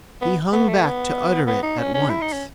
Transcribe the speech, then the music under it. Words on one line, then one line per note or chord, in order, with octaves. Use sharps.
He hung back to utter it at once.
B3
B3
A3
B3
B3
D#4
C#4
C#4
E4
D#4
C#4